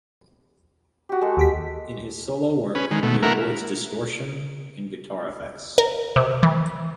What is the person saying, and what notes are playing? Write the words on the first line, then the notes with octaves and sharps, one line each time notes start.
In his solo work, he avoids distortion and guitar effects.
F#4 G4
G#3 A4
D#2 G4 B6
C#4 B4
D#3 G#3
B2 A3
A3 A#3 E4 A#4 F#5
A#4
C3
E3